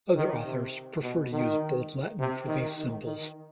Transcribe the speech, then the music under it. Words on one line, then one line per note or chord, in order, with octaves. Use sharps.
Other authors prefer to use bold Latin for these symbols.
D#3
C3
B2
D#3
C3
D#3
D#3
D#3